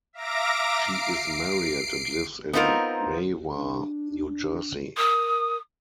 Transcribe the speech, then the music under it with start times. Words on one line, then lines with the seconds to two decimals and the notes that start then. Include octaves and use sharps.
She is married and lives in Mahwah, New Jersey.
0.13 E5 F5 A#5 D6 A#6 D7
0.79 C7 D7
2.53 B3 C4 D#4 F4 A#4
3.55 D4
4.97 A#4 D#6